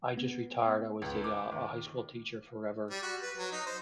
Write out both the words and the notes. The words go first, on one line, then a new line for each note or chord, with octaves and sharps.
I just retired, I was a, uh a high school teacher forever
B3
C#2
D6
D#3
G3
F#4
B4
F#3
D#4
C5